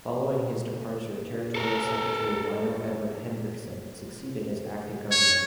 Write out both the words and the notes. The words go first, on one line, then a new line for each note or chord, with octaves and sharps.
Following his departure, Territorial Secretary Waino Edward Hendrickson succeeded as Acting Governor.
A4 A#4
C#5